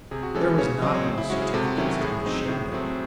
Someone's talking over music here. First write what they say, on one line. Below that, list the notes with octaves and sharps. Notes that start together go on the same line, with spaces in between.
There was naught in those certificates to be ashamed of.
C3 G#4
F#4
E3 G#3 C#4 A4
C#3 C#5
F#3 C4 D#5
C#5
C#3 C5
E4
G#3 C#4 F#4
G#4
C3 A4
F#4
D#3 F#3 C#4 E4
F#4
A2 G#4
F#3 C4 D#4
A2
F#3 A3 C4